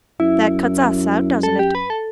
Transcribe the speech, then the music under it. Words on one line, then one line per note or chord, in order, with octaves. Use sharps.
"That cuts us out, doesn't it?"
F#2 E4
A4
G4
B4
A4